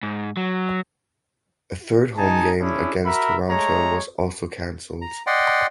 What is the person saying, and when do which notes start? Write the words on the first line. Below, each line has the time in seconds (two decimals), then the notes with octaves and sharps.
A third home game against Toronto was also cancelled.
0.03 G#2
0.37 F#3
2.17 G#3 D#4 G#5 A5
2.59 C#4 D4 E4 G#4
3.06 F#4 A#4 E5 B5
3.50 G#3 A3 C#5 A#5
5.01 A#5
5.27 D5 D#5 F#5 G5 C6